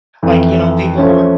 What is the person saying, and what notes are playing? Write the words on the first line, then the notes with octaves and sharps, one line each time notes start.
like, you know, people who are
F2 E3 A3
F3 A3 C#4